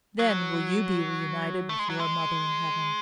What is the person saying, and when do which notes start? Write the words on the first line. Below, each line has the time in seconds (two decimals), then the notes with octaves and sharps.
Then will you be reunited with your mother in heaven.
0.19 F#3
1.69 A3
1.79 G#3
1.90 F#3
1.99 G#3